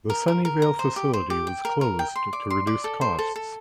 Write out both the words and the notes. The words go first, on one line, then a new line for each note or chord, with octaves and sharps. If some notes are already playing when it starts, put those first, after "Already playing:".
The Sunnyvale facility was closed to reduce costs.
A#4
A#4
A#4
A#5
C5
G4
C5
G4
G5
A#4
A#4
G5
C6
D5
C6
D5
A4
C5
A4
A4